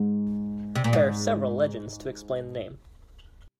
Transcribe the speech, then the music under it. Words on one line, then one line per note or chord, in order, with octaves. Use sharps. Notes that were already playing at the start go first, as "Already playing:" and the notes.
There are several legends to explain the name.
Already playing: G#2
C3
A#2
G#2